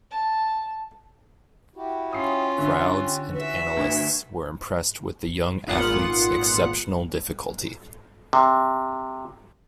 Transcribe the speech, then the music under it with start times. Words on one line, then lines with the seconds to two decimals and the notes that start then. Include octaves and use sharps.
Crowds and analysts were impressed with the young athlete's exceptional difficulty.
0.10 A5
1.76 E4 F#4 G4
2.13 C#4 F4 D#6 C7
2.58 D3 E5
3.01 G4
3.33 E3 F#4 B4 E5
3.77 G1 D2
5.67 G#1 A#2 B3 F4 F#5
8.33 C3